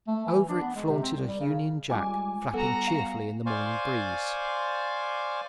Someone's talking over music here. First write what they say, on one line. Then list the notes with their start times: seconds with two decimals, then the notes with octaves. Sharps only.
Over it flaunted a Union Jack, flapping cheerfully in the morning breeze.
0.08 A3
0.26 E3
0.49 D4
0.61 B3
0.75 G#3
0.89 C3
1.03 C4
1.15 C2
1.28 G3
1.41 C#3
1.90 G3 G#3 F4 G#5 D6
2.53 G3 B3 F#4 A4 F#5 A#5
2.87 F5
3.46 C5 D5 F5 G#5 C6 C#6